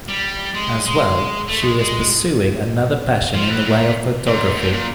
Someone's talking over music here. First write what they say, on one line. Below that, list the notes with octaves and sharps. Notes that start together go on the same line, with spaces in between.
As well, she is pursuing another passion in the way of photography.
G3
G#3
G#3
A3
G#3
G#3
F3
E3
A#2
G#2
A2
A#2